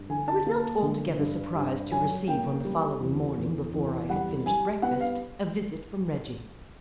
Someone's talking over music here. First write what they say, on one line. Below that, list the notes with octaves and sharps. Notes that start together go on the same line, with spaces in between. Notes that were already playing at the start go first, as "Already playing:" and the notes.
I was not altogether surprised to receive, on the following morning before I had finished breakfast, a visit from Reggie.
Already playing: G2
D3 G#5
A5
A#3
D3
G2
G2
F#3 G#5
A#3 G5
G3
E2
E2
E2
G3 F#5
G3 G#5
B3 F#5
F5